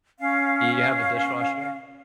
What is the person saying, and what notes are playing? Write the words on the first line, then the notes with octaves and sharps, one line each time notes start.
Do you have a dishwasher?
C#4 F5